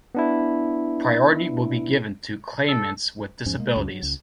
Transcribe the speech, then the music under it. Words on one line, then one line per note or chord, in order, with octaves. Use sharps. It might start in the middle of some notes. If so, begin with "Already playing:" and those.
Priority will be given to claimants with disabilities.
B3 D4 E4
A4
E2 G#2 F3 C#4
G#3 A#3
C#2 F#2
F#3
C#2